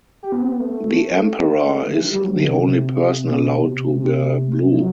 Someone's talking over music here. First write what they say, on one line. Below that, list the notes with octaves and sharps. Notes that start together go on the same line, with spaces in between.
The Emperor is the only person allowed to wear blue.
G4
B3
C4
B3
A3
D3
E3
F#3
G3
F#3
D3
C3
B2
C3
C3
F#3